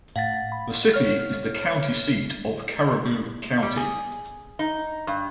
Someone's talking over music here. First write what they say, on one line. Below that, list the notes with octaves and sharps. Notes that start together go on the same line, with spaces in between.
The city is the county seat of Caribou County.
A2 F5 F#5 A6
B5
C#5 F6
G3
G#4
D#4
G2